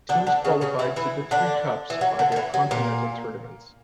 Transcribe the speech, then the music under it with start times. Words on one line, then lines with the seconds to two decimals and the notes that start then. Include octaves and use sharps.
Teams qualified to the three cups by their continental tournaments.
0.09 D3 D4
0.27 D3 D4
0.45 C#3 C#4
0.61 C#3 C#4
0.79 E3 E4
0.96 E3 E4
1.31 D3 D4
1.90 E3
2.01 F#3
2.19 D3
2.32 D3
2.36 E3
2.54 F#3
2.71 A#2 A#3